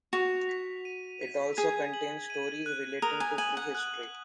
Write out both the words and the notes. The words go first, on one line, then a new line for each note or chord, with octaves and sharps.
It also contains stories relating to prehistory.
F#4 F7
B6
D#7
B6
G#4 G#6
F#7
D#7
F#6
A#4 D#6
G#5
G#5 F#7
F#5
F#6